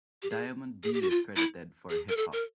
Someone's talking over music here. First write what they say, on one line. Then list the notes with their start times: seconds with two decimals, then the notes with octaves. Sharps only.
Diamond D is credited for "Hip Hop".
0.23 G4
0.30 G#4
0.84 G#4
0.93 G4
1.01 F#4
1.10 F4
1.36 E4
1.90 G#4
2.09 A#4
2.17 A4
2.32 A#4